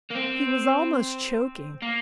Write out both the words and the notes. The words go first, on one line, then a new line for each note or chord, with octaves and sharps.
He was almost choking.
A#3
C4
A#3